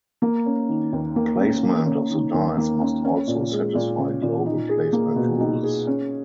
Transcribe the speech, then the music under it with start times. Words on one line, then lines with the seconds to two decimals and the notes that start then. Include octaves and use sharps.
Placement of the dice must also satisfy global placement rules.
0.22 A#3
0.46 C#4
0.69 D#3
0.93 D#2
1.16 A#3
1.40 C#4
1.63 A#3
1.86 C#4
2.10 D#3
2.34 D#2
2.58 A#3
2.81 C#4
3.04 C#4
3.27 A#2
3.52 G#3
3.75 A#2
3.99 C#4
4.22 A#2
4.46 D#4
4.69 G#4
4.93 A#3
5.16 B2
5.40 D#4
5.63 G#4
5.87 C#4